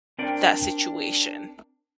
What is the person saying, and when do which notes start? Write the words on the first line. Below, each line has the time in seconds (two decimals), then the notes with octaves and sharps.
that situation?
0.18 C4 D4 A#4 D5 G5